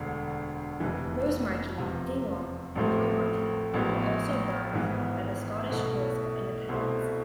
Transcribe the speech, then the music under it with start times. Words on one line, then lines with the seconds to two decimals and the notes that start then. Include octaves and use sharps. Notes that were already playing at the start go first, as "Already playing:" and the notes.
Rosemarkie, Dingwall and Cromarty were also burghs by the Scottish Wars of Independence.
Already playing: E1 D2 D3
0.80 F1 F2 E3
1.78 E2 C3 F3
2.75 A1 A2 F3 A3 C4
3.74 A1 A2 F3 G#3 B3
4.73 G#1 G#2 E3 B3
5.70 B1 B2 A3 E4
6.68 C2 B2 A3 C4 E4